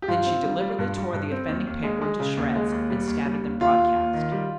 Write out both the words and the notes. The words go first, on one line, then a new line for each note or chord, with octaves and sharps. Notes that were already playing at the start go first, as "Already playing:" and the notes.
Then she deliberately tore the offending paper into shreds and scattered them broadcast.
G4
G2 F4
C4
G3
G3
G2
G3
G2
C4
D#2
D#2
G#3
G#3
C#3
D#2
G#3
D#2
G3
D#2
G3
D#2
D#2 F4
D#2
D#2
D#3
G3